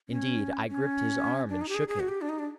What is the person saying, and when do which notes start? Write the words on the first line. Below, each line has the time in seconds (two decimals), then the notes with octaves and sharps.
Indeed I gripped his arm and shook him.
0.09 C#4
0.69 C#4
1.49 D4
1.61 D#4
1.69 G4
1.75 G#4
1.88 G#4
2.00 F#4
2.09 G4
2.21 D4
2.29 D#4
2.39 D4